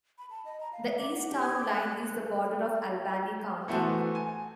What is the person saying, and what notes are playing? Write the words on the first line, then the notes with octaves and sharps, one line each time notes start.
The east town line is the border of Albany County.
B5
A5
D#5
A#5
F5
E5
D6
F#5
G4
G#6
D6
F#6
E3 A3 B3 F#4 C5 A5
G#5